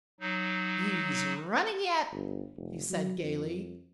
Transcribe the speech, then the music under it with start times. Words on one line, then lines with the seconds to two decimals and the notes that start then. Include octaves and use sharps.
"He's running yet!" he said gaily.
0.20 F#3 D#4
2.12 G1
2.56 F1
2.90 F#3
3.23 F2